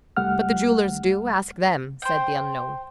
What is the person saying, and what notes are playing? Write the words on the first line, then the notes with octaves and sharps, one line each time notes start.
"But the jewelers do: ask them," said the unknown.
C2 G3 A3 F#5 F6
C5 G5